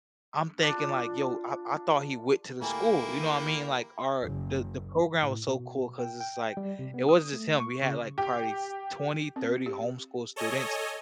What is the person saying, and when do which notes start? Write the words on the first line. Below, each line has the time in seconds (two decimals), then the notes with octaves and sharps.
I'm thinking, like, yo, I I thought he went to the school. You know what mean? Like, our the the program was so cool 'cause it's, like, it wasn't just him. We had, like, probably s twenty, thirty homeschool students
0.59 D4 F4
2.61 D2 A#3 E4 G4 A4 G#5
4.22 F#1
5.23 A2
5.48 B2
5.99 G5
6.20 G5
6.57 G3
6.79 C3
6.94 B3
7.09 D#6
7.33 A3
7.60 C#6
7.83 C#3
8.18 G4
9.36 C4
9.66 G4
10.36 A4 C#5 D#5 G#5